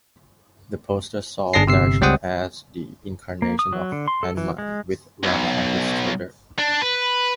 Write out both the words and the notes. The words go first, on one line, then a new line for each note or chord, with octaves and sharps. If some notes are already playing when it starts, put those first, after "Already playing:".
The poster saw Darshan as the incarnation of Hanuman with Rama on his shoulder.
G1 D4 G#4 A5 A#6 C7
G1 C3 E6 C7
C#2 G3 C4 C5 F#5 D#6
A#3
D#6
F#3
D3
C6
A4
E3
G#3
B1
D4
B4